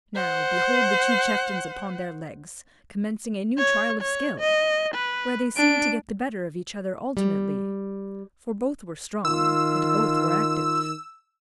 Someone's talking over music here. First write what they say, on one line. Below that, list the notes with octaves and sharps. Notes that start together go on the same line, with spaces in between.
Now, behold the two Chieftains upon their Legs, commencing a new Trial of Skill! where they seem'd to get the better of each other alternately; for both were strong, and both were active.
C5 F#5
C#5
C#5
D#5
B4
D4 D7
G3
D#3 F4 E6